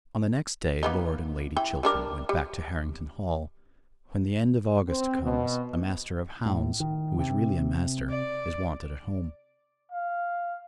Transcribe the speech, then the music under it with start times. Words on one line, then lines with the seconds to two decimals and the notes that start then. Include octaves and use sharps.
On the next day Lord and Lady Chiltern went back to Harrington Hall. When the end of August comes, a Master of Hounds,--who is really a master,--is wanted at home.
0.83 A#3 B3 D#4
1.56 E3 G5
1.83 G3 D4 A#4
2.29 G3
4.88 C4
5.22 B2
6.46 A2
6.80 D#3
7.19 C3
8.10 D5
9.92 F5